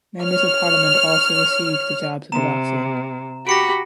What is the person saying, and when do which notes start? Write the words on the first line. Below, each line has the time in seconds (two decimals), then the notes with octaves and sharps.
Members of Parliament also received the jabs of the vaccine.
0.20 C#5 F6
2.32 C3 A#5 E7
3.47 F#4 G4 B5 A#6 C#7 D7